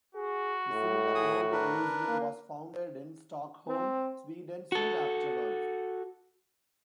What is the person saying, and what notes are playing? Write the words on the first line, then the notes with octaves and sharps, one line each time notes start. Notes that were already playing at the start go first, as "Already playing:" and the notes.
The similar Nordic Museum, was founded in Stockholm, Sweden soon afterwards.
F#4 G#4
A2
G#4 D#6
D4 A#4 B4
A#3
C4
F#4 A4